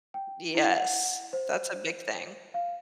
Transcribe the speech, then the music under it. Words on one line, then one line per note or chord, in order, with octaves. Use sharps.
Yes. That's a big thing.
G5
E4
F#5
C5
F5